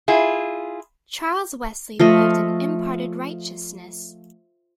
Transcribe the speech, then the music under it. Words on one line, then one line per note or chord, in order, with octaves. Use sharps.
Charles Wesley believed in imparted righteousness.
E4 F4 G#4
F3 A3 D#5